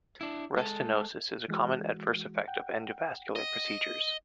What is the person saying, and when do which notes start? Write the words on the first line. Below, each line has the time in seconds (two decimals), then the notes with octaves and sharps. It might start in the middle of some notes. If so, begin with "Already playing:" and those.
Restenosis is a common adverse event of endovascular procedures.
0.21 D4 E4
0.57 G#3 A4
1.48 E3 G#3 F#4
2.48 F#5 G5
3.36 D#5